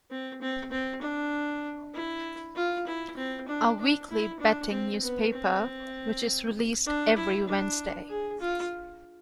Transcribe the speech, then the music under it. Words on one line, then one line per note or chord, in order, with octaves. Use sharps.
A weekly betting newspaper which is released every Wednesday.
C4
C4
C4
D4
E4
F4
E4
C4
D4
D4
E4
D4
C4
B3
C4
D4
E4
D4
G#4
F4